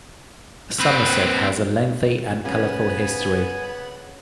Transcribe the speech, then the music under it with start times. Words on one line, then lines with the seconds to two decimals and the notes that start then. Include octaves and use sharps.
Somerset has a lengthy and colorful history.
0.80 C4 B4
2.45 C#3 B3 F#5 G#5